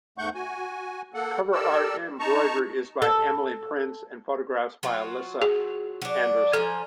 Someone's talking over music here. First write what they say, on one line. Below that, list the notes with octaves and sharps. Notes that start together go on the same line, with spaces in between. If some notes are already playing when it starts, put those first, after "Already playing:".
Cover art embroidery is by Emily Prince and photographs are by Alissa Anderson.
E2 G#2 A3 F#5 C#6 G6
F#4 G#5
A#3 A4 F#5
G4 A4 A#4 D5 E6
D#4 A5 A#5 C#6
A4
F#3 F4 F#4
G#4
F#3 D4
F3 A4 G#5 A#5